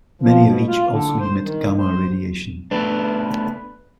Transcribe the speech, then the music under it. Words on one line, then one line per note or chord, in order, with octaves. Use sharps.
Many of each also emit gamma radiation.
F3
B2
F4
D3
C5
D#3
C5
A3 B3 D4 B4